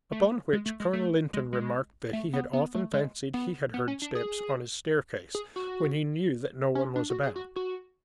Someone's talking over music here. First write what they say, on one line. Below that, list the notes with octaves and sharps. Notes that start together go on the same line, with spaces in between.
Upon which Colonel Lynton remarked that he had often fancied he had heard steps on his staircase, when he knew that no one was about.
A3
G#3
A3
G#3
A3
G#3
G#3
A3
B3
B3
A3
G#3
B3
B3
C#4
D4
G#4
G#4
F#4
C#4
D4
F#4
G#4
F#4
F#4